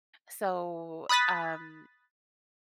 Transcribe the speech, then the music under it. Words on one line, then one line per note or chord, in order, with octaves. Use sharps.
So, um
B5 D#6 F#6 A6 B6